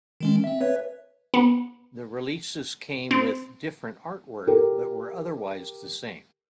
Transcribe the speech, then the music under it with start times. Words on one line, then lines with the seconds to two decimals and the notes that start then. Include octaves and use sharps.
The releases came with different artwork, but were otherwise the same.
0.20 D#3 G#3 C#4
0.44 C4 E5
0.61 B4 C#5 E5
1.34 B3
3.11 C4
4.47 G4 A#4